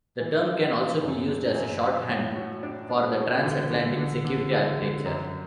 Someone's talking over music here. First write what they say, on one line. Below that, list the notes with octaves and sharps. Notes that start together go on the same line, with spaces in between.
The term can also be used as a shorthand for the transatlantic security architecture.
E3
D4
E3
F#2
D4
F#2
D4
A2
F#4
D4
D4
F#4
D3
D3
D3
D3
D3
D3
F#2